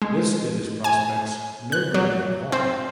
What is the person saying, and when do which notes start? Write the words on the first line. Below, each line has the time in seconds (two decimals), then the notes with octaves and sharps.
This did his prospects no good at all.
0.02 G#3
0.84 G#5
1.72 F#6
1.94 F#3
2.52 C4